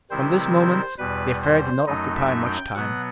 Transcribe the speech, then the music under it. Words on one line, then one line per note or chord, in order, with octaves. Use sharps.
From this moment the affair did not occupy much time.
C3 D#3 G3 C4 E4 C5
C5
E2 B2 G3 B4
C5
F#2 F#3 A3 D#4 D#5
E5
G5
B2 F#3 B3 F#5